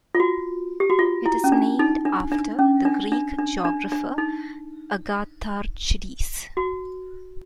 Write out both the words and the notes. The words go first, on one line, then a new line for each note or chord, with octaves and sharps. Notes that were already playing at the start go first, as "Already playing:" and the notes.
It is named after the Greek geographer Agatharchides.
F4
F#4
G4
F#4
F4
E4
C#4
D4
D#4
D4
D4
C#4
D4
D4
D4
D4
D4
D#4
F#4